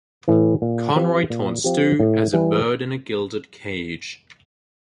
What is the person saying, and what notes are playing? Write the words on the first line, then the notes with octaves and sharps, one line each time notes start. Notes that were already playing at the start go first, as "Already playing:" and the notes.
Conroy taunts Stew as a bird in a gilded cage.
A2 E3
A#2
F3 C4 G4
A#2
F3 C4 G4
A2
E3 G3